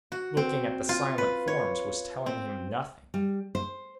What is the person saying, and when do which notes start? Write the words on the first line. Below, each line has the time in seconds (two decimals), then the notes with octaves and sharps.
Looking at the silent forms was telling him nothing.
0.12 F#4
0.37 C4
0.89 F4
1.18 B4
1.48 C#5
2.26 C4
3.14 G3
3.55 C5